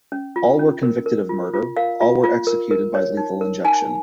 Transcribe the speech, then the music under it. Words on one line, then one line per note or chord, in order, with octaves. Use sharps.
All were convicted of murder; all were by executed by lethal injection.
C#4
F4
C#4
A#4
A#4
F4
F4
A#4 F5
F4
F4
A#4
A#4
C#5
D#4
A#4
D#4 G#5